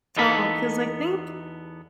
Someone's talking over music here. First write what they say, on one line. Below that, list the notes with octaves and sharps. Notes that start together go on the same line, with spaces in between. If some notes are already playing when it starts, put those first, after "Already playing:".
talk “'cause I think
E2 B3 D#4 A4 B5